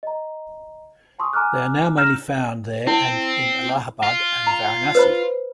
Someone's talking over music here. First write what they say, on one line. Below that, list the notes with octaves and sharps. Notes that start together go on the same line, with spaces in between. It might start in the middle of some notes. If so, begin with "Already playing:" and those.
They are now mainly found there and in Allahabad and Varanasi.
D#5 A#5
G#5 A5 C6 C#6 D#6 E6
G#5 A#5 D6 F6 F#6
A#5 E6 F6 G6 A#6 E7
C4 E4
F4
A#5
B4 C5 B5